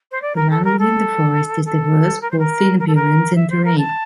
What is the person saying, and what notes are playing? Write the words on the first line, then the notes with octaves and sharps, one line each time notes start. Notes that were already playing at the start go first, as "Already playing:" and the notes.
The land within the forest is diverse, both in appearance and terrain.
C5
D5
A#4
A4
A#4
A4
A4
A#4
C5
A#4
A#4
A4
A#4
E5
C5
A#4
A5